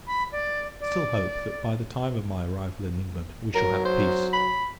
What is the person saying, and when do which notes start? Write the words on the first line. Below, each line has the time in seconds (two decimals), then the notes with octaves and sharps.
I still hope that, by the time of my arrival in England, we shall have peace.
0.07 B5
0.32 D5
0.80 D5
3.55 F#3 A#4
3.85 C5
4.33 B5